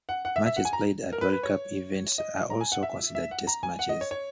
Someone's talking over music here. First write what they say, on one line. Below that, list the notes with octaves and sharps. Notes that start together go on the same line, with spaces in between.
Matches played at World Cup events are also considered Test matches.
F#5
F#5
E5
E5
F#5
G#5
A#5
A#4
B4
B4
C#5
D#5
A#5
G#5
F#5
E5
E5
F#5
A#5
G#5
F#5
D#5
C#5
C#5